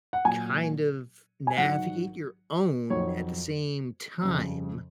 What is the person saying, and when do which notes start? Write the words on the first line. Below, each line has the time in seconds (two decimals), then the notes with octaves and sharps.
kind of navigate your own at the same time
0.13 F#5
0.25 A#2 F#3 G#5
1.47 G#5
1.57 G#2 D#3 F#3 F#5
2.90 F2 D#3 F#3 C#5
4.22 F2 C#3 F3